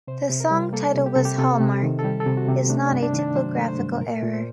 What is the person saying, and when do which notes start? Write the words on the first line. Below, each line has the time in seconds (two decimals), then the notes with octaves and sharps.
The song title "hHallmark" is not a typographical error.
0.08 C3 C5
0.29 C3
0.40 A#4
0.51 G3
0.73 A#3 A4
0.95 C3
1.06 G4
1.15 C3 A4
1.25 G4
1.38 C3 A4
1.61 C3
1.83 D#3
1.99 A4
2.04 G3 G4
2.20 A4
2.27 C3
2.37 F#4
2.49 C3
2.70 A3 D4
2.86 D4
2.92 G2
3.03 D4
3.13 D#3
3.19 D4
3.35 F#3 C5
3.57 A3
3.68 C5
3.79 G2
4.00 A#2 A#4
4.23 A#2
4.33 C5